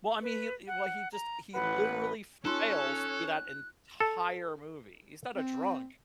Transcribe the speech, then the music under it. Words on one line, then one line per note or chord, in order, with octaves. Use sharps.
Well, I mean, he l he well, he just he literally fails through that entire movie. He's not a drunk,
B4
F#5
A#5
A1 B4 F#5
C#4 D#4 F4 A4 C#5 C6 F#6
A4
C4